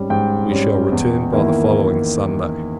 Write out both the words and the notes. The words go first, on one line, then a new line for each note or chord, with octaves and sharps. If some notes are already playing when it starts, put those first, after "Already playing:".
We shall return by the following Sunday.
Already playing: G#2 G3 C#4
G#2 G5
G3 C#4
E2
D#3 A#3 E4